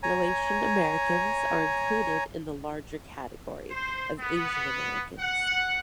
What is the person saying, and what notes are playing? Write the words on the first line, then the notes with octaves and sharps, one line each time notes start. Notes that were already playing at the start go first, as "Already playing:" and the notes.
Laotian Americans are included in the larger category of Asian Americans.
C#5 G#5 A#5
C5
B3
F#5